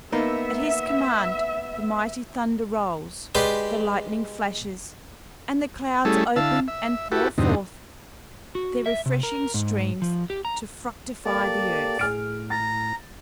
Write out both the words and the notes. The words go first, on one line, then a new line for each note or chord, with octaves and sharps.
At his command the mighty thunder rolls, the lightning flashes, and the clouds open and pour forth their refreshing streams to fructify the earth.
A#3 B3 D#4 E5
G#3 G4 B4 D5 C6
G3 A3 C#4 E4 G#4 A4
D3 E4 F5 A5 E6
E5
E4 F#4 G4 A4 B4
E2 G2 B2 D3 C4 D#4
F#4
E5
C3
A#4
G#2
F3
G4
A#5
A#3 G4 A4 D5
A2 G#4 F6 D7
A#5 A6